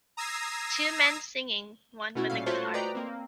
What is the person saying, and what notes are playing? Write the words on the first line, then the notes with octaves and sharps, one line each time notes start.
Two men singing one with a guitar.
A#5 D#6 E6 G#6 A#6 C7
B2 A3 C#4 E4 F#4
A#2 G3 A3 C#4 F5
A3 F4 F#4 C5 C#5 A5
B4 D5 D#5 G5 A#5
A#3 C4